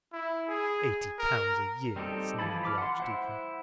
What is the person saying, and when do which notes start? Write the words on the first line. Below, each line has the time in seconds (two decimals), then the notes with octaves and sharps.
"Eighty pounds a year!" sneered the archdeacon.
0.13 E4
0.49 G#4
1.19 A#4
1.96 G3 C4 D#4 G4 A4
2.39 E3 F3 G#5 A5 B5
2.63 B5 D6 F6
2.78 F#5 C6
3.00 E4 C5 F#5